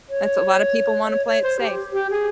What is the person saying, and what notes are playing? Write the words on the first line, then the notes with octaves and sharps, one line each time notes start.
That's a lot of people wanna play it safe.
C#5
D#5
C#5
C#5
C5
G4
G4
G#4